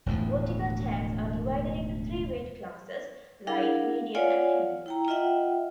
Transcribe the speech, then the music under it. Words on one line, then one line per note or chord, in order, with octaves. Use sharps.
Vertical tanks are divided into three weight classes: light, medium and heavy.
E1 D2 A2 F3
D4 E4 G#4 A#4 F5 F#5
F4 C#5 D5 F5 F#5 G#5
E4 G5 A#5
F4 D#5 E5 F#5 G5